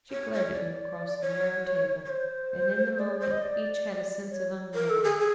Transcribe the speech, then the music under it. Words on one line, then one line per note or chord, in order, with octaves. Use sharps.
She glared at him across the narrow table, and, in the moment, each had a sense of unreality.
C#5
C#5
D5
C#5
C#5
C5
D5
C#5
C5
D#5
D5
C#5
A#4
A4
G#4
G#4